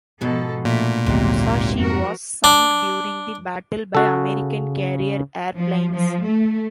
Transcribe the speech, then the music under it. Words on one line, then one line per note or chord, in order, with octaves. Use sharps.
"Musashi" was sunk during the battle by American carrier airplanes.
G#2 B2 F3 A4
A#2 A3 D4
G#1 D2 G#2 C3 F#3 A#3
F2 F3 A#3 C4 F#4 A#4
D4
C#3 F#4 A4
F3
F3
A3